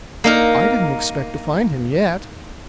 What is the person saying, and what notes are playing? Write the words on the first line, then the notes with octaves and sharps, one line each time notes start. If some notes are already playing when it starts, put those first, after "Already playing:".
I didn't expect to find him yet.
A#3 D#4 A#4